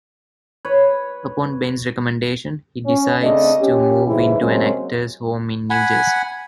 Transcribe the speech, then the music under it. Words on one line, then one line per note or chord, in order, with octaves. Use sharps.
Upon Ben's recommendation, he decides to move into an actors' home in New Jersey.
B4 C#5
C#4
C#3 A3 C4 D4 A4 D#5
C#4 G4
G#2 C#3 E3 E4
C3 F#3 G#3 A#3 C4 C#4
F#5 G#5 B5